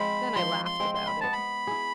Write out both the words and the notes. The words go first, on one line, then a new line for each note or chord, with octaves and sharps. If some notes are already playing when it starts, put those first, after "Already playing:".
Then I laughed about it.
Already playing: F3 G#3 C4 B5
F3 C6
C6
G#3 C4
C6
B5
B3 A5
B5
E4 G#4